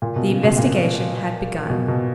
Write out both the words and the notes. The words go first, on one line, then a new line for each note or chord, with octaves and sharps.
The investigation had begun.
A#2
B2
C#3
B2
A#2
B2
B2